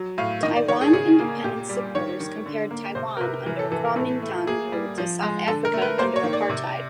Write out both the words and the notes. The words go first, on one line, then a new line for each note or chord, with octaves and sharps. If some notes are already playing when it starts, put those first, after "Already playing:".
Taiwan Independence supporters compared Taiwan under Kuomintang rule to South Africa under apartheid.
Already playing: F#3
A2 F5
D#3 D#5
D5
D#3 C#5
G#4
C#3 G#4
A#3
A#2 G4
G3
D#3 C#5
D#3
D3
A#3
C3 C5
A#4
C3 B4
E3 A#4
A4
E3 A4
A#4
A2 A4
A3
A#3 G#4
G3
F3
G#3
D3 A4
A#4
A3
B4
A#3 C5
C#5
D#3
D5
C3